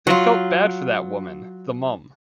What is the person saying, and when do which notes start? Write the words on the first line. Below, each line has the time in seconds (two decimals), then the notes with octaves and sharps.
They felt bad for that woman, the mom.
0.07 F#3 F4